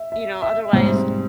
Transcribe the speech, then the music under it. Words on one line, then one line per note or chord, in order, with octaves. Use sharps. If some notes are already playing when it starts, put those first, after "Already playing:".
you know, otherwise
Already playing: E5
E5
E5
G#2 G3 C4